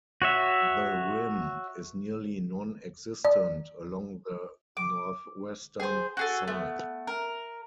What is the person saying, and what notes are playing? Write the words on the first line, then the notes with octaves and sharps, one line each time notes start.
The rim is nearly non-existent along the northwestern side.
F#4 C#5 E5
D5
D6
G#4 C5
F#4 G#4 A4
A3 B3
A#4